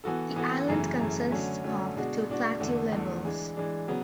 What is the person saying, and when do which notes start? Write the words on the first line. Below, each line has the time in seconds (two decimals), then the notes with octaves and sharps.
The island consists of two plateau levels.
0.04 E3 B3 F#4 A4
0.36 E3 B3 F#4 A4
0.68 F#2 C#3 E3 A3
1.00 F#2 C#3 E3 A3
1.32 D3 F#3 A3 C#4
1.64 D3 F#3 A3 C#4
1.96 B2 G#3 D4 F#4
2.28 B2 G#3 D4 F#4
2.60 E2 D3 A3
2.92 E2 D3 A3
3.25 E3 G#3 D4
3.57 E3 G#3 D4
3.88 C#3 F#3 B3